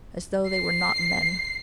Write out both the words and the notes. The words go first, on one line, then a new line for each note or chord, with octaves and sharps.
As though they were not men.
C7